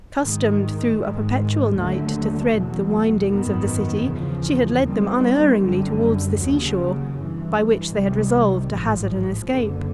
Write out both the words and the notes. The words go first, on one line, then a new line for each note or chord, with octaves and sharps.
Accustomed, through a perpetual night, to thread the windings of the city, she had led them unerringly towards the sea-shore, by which they had resolved to hazard an escape.
G#2 D#3 G#3
G#2 D#3 G#3
D#2 D3 F#3 A3
E2 B2 F#3
G#1 F#2 D#3 F#3 B3
E2 C#3 F3
D#2 D#3 G3 C4
G1 F#2 D3 G3
D#2 C#3 F#3
G1 G2 E3
C2 C3 D#3 G3
A1 G#2 F3
F#1 F#2 D3